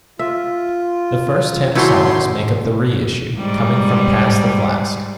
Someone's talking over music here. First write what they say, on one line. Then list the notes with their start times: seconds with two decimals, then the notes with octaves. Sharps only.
The first ten songs make up the reissue, coming from Pass the Flask.
0.19 F4 E5
1.75 D#3 F#3 G3 A3 C#4 E4 C6
3.38 G#2 G3